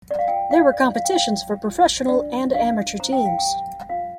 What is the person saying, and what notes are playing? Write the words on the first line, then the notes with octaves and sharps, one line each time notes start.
There were competitions for professional and amateur teams.
D5
F5
F4 G5
F5
C5 D5
F5
G5
C5 F5
F4
D4 D5
D4 F5
C5 A#5
G5
F5
G5
G4
F4 F5